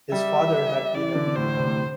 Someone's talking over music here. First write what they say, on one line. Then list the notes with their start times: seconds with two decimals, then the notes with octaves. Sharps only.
His father had been a weaver.
0.12 G3 E5
0.95 E3 D5
1.15 D3
1.36 A2 C5
1.57 C3
1.67 A2